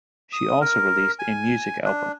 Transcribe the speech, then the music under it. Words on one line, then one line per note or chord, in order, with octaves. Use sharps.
She also released a music album.
D#6
A#4
G#5
D4